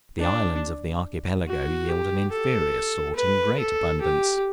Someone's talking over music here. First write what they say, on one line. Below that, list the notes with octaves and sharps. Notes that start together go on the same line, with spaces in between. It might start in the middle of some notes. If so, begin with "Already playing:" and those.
The islands of the Archipelago yield an inferior sort in great abundance.
D4
F#4
G4
A4
B4
A4
G4